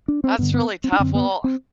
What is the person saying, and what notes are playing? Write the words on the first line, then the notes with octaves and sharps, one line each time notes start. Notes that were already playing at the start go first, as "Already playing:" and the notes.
that's really tough. Well,
D4
C4
G2 D3 B3
B3
C4
D4
F#2 D3 C4
B3
C4